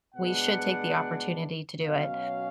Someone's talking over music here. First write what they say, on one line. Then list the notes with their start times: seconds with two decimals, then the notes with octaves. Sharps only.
we should take the opportunity to do it,
0.15 B2 G#3 B3 D4 F#5
1.82 B2 F#3 C#4 F5